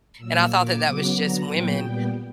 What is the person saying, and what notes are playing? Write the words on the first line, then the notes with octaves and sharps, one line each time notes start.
and I thought that that was just women,
A#2 F#3 A#3 E6
A#2 A#3 D6
C#3 F#3 B3
D3 F#3 B3 A#5
A#2 F#3 B3 G5
A#2 G3 B3